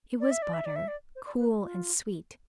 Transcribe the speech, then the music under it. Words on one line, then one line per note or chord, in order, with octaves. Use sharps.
It was butter, cool and sweet.
D5
E5
D5
E5
D5
E5
D5
C5
D5
B4
F4